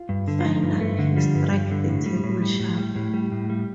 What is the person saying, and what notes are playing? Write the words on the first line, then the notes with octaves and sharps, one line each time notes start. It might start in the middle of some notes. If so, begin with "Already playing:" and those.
Finally he struck the table sharply.
Already playing: F4
G2
D3
F4
F3 D#4
G2
G2 A3
D3
F3 G3
G2
G2
D3
A2
G3
A2
G3
A2
G3
A2
G3
A2
G3